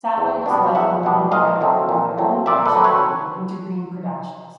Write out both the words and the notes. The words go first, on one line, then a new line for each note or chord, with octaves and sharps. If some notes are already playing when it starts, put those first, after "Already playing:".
Sattler and his wife Noeline Brown formed their own production company Wintergreen Productions.
E2
B2 G3 B3 D4
E2 E5 F#5
B2 G3 B3 D4
A#2 D#5 F5
F#3 A3 C4
A#2
F#3 A3 C4
A#2 D5 E5
A4 B4
F#3 A3 C4
B4 C#5